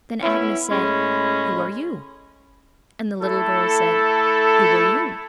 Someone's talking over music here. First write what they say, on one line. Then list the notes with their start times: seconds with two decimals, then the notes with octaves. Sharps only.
Then Agnes said, "Who are you?" And the little girl said, "Who are you?"
0.23 B3 C#4 E4
0.70 A2 G#3 C#4 B5
3.21 A3 E4 A4